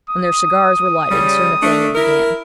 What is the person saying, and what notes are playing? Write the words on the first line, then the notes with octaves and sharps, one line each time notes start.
When their cigars were lighted, Sir Nathaniel began.
D#6
C#3 G3
A3 D4
E4 A#4